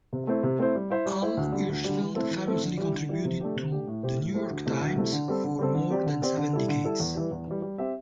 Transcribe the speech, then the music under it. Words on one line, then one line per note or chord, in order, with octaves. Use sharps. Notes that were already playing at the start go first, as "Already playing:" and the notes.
Al Hirschfeld famously contributed to "The New York Times" for more than seven decades.
C3
A3 C4 E4 C5
C3
A3 C4 E4 C5
G3
E4 C5 E5
G3
E4 C5 E5
D2
D3 G3
D2
D3 G3
E3
A3 C4 E4 A4
E3
A3 C4 E4 A4
D3
G3 E4 G4
D3
G3 E4 G4
C3
A3 D4 G4
C3
A3 D4 G4
A2
A3 E4 G4 C5
A2
A3 E4 G4 C5
D2
C3 A3 E4
D2
C3 A3 E4
D3
G3 C4 A4
D3
G3 C4 A4
D3
C4 G4 D5
D3
C4 G4 D5
D3
G3 E4 A4
D3
G3 E4 A4
E2
E3 G3
E2
E3 G3
G3
C4 G4 E5